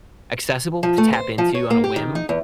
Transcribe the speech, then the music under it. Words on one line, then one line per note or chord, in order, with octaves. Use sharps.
accessible to tap into on a whim.
F3
A3
C5
F3
C#5
A#3
G4
D#3
D#4
E2